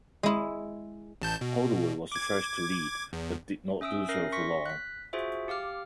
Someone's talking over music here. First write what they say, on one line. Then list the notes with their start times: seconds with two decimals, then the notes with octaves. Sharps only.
Holdaway was the first to lead, but did not do so for long.
0.23 G#3 E4
1.22 A1 A5 G6
1.41 B2
2.12 D6 G#6
3.13 E2
3.81 C#4 E5 D#6 E6 D7
4.09 C#4 A#4 E5 A#6 C7
4.32 C6 C#6 A#6 B6 C#7
4.66 F#6 B6
5.13 F4 F#4 G#4 C5 E5
5.48 G4 F5 D6 F6